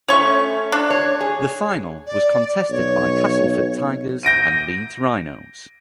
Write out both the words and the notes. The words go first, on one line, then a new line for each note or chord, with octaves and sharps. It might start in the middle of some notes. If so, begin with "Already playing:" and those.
The final was contested by Castleford Tigers and Leeds Rhinos.
A3 C#4 C#5 C#6
D4
C#5
G#4
D5
B1 C#5
G6 A#6 D7 D#7